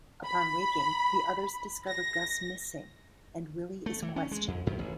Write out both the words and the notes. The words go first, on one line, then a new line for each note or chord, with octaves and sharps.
Upon waking, the others discover Gus missing and Willi is questioned.
B5
A#6
A3
E3
C#4
G#3
F2
F#2
A1